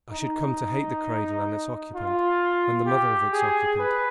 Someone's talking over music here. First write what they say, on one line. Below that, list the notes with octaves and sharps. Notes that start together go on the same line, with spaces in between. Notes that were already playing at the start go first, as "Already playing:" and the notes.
I should come to hate the cradle and its occupant, and the mother of its occupant.
D#4
F4
G4
G#4
B4